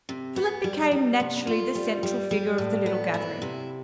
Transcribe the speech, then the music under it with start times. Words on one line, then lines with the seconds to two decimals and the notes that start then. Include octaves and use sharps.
Philip became naturally the central figure of the little gathering.
0.09 C3
0.36 B3
0.64 G3
0.91 G3
1.20 C3
1.47 F4
1.75 G3
2.03 G3
2.31 G3
2.58 A2
2.86 B3
3.14 E4
3.42 C3